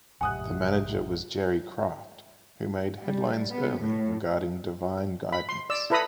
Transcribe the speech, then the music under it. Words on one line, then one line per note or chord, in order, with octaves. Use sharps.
The manager was Gerry Craft, who made headlines early regarding divine guidance.
A1 F2 G#2 C3 F#5 G#5 D#6 F#6
G3
B3
A2
B5
C6
D5 E6
E4 A4 B4 A#5 B5 D#6